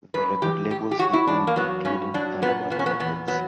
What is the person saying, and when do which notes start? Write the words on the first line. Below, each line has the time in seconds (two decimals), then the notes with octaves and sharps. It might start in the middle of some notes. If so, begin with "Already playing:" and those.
The record labels he owned included Thunderbird Records.
0.14 F#2 B4
0.42 E3 G4
0.70 F#2 G4
0.91 G4
0.99 F#3 F#4
1.13 E4
1.27 E2 D4
1.47 A#3
1.56 F#3 B3
1.85 G2 C#4
2.14 F#3 D4
2.42 A#2 B3
2.70 A#2 B3
2.79 C#4
2.86 B3
3.00 E2 B3
3.28 F#3 B3